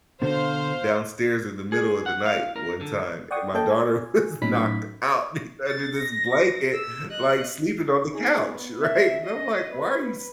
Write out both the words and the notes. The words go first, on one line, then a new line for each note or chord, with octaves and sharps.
downstairs in the middle of the night one time, and my daughter was knocked out be under this blanket, like, sleeping on the couch, right? And I'm like, "Why are you s
B2 D3 C5 F5
G#4
F#5
F5
A#4
D3
D5 F#5 G5 C#6 D#6
A#3 A4 D#5 G5 A5 G6
G#5
A2 F#3 C#4 D#4 B5 B6
A6
A#6
E6
D#5 F#6
D#4 G#4
B3
E5
D#5
B4